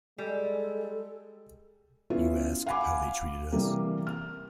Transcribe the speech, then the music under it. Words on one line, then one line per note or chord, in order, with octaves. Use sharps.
You ask how they treated us?
G3 G#3 A4
B3 C#4 E4 F4
F5 F#5 G#5 B5 D6
C3 E3 G3 A#3 C4
F6